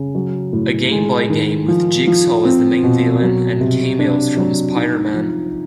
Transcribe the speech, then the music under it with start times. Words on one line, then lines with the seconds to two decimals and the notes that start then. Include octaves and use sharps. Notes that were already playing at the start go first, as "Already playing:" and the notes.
A Game Boy game with Jigsaw as the main villain and cameos from Spider-man.
Already playing: C#3
0.15 F#3
0.53 A2
0.91 G#3
1.30 D#3
1.68 F3
2.07 F3
2.45 C4
2.83 B2
3.22 F#3
3.61 C3
3.99 D4
4.37 F#3
4.75 D#4
5.14 F3